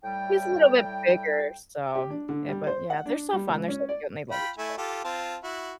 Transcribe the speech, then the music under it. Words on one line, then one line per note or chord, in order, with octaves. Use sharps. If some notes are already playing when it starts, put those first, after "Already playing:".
he's a little bit bigger, so, yeah, but, yeah, they're so fun, they're so cute, and they love each other.
A2 G3 G5
G4
D4
D3
G3
C5
F#5
D4
G3
C#2
C#4
D5
F4 G5 B5
A3 E4 G#5
F4 G4 A4
C4 F4 A5
E4 F#4